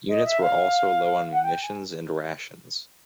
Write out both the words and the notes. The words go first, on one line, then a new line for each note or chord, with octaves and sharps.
Units were also low on munitions and rations.
D#5
E5
F5
F#5
G5
G#5